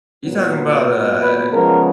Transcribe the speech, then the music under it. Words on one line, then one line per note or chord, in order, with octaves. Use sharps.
You talking about, uh
A#2 F#3 B3
B4
C#3 F3 G#3 B3 A#4